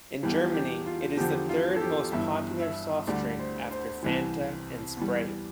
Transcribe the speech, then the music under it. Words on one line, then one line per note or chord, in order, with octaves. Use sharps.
In Germany, it is the third most popular soft drink, after Fanta and Sprite.
E1 E2 E3 G3 G4
G4
F4
E1 E2 D3 F3 G4
F4
A4
G4
G1 G2 E3 G3 E5
E5
D2 D3 G3 D5
C5
C5
C2 C3 E3 G3
E2 E3 G3